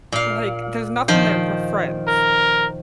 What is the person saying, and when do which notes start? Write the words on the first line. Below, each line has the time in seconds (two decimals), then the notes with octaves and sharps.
like, "There's nothing there, we're friends."
0.12 A#2 F5
1.08 D#3 F3 C5
2.08 A#4